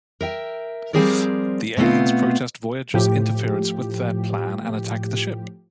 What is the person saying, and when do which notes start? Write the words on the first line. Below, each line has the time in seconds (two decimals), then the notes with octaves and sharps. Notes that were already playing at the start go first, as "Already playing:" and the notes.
The aliens protest Voyager's interference with their plan and attack the ship.
0.21 A#4 E5 G5
0.93 F3 G3 C4 G#4 A#4 D5
1.77 B2 A3 B3 C4 F4
2.94 A2 F3 G4